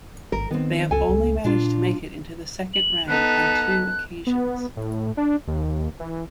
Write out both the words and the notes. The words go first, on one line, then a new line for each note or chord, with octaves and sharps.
They have only managed to make it into the second round on two occasions.
G#1 A#4
D#3 B3 C4
C#2 A4 G#5
C#2
A#2 D4 F4
F#7
B3 D#4 A4 F#6
B3
A2
D4
D#2
E3